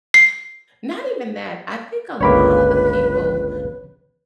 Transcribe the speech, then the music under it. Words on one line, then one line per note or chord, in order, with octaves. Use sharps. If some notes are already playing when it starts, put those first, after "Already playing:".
not even that I think a lot of the people,
C7
G1 C#2 A#3 B4 C#5 B5 D6